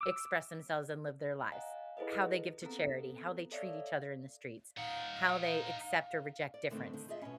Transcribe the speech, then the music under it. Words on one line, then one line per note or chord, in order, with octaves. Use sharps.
express themselves and live their lives, how they give to charity, how they treat each other in the streets, how they accept or reject difference.
D6 E6
D#5 F5 F#5 G#5 A#5
E4 G#4 A4 B4 D#5
B3 C4 A4 A#5
A4 C#5 D5 E5 F5
D#4 F5 F#5
D5
A2 D3 D#3 A3 C4
D3 D#3
F4 G#4 D#5 E5
B2 C#4